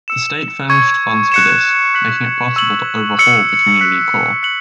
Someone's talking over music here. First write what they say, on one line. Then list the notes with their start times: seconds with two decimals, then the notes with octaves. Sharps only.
The state furnished funds for this, making it possible to overhaul the community core.
0.08 E6 C#7 E7
0.70 C#6 G#6 C#7
1.32 F#6 C#7 E7
1.95 F#6 B6 F#7
2.56 C#6 E6 G#6 C#7 F#7
3.19 E6 C#7 F#7
3.81 F#6 B6 F#7
4.43 F#6 C#7 F#7